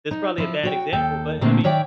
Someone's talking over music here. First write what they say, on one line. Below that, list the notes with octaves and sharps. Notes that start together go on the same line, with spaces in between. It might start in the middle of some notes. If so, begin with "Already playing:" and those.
it's probably a bad example, but, I mean,
D#4
F3 E4
F#4 C#5 G5
D#2 A4 G5
A#2 D3 A3 A#3 C4
D#3 C#5 D5 E5 G5